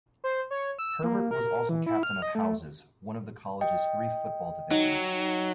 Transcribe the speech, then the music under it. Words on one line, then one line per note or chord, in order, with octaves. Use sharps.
Herbert was also Captain of Houses, one of the College's three football divisions.
C5
C#5
E6
A#3
A#4
E3
E4
F6
D#5
A3
D#5 G5
F#3 D#4